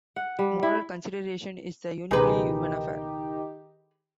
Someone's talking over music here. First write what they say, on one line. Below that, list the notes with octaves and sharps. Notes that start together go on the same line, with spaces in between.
Moral consideration is a uniquely "human" affair.
F#5
G3
E4
C#2 B2 D#3 D#4 G4 G#4 B4